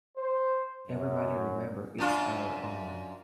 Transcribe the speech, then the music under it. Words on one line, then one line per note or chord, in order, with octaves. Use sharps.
Everybody remember it's our Alan.
C5
F#2
F#2 D4 F4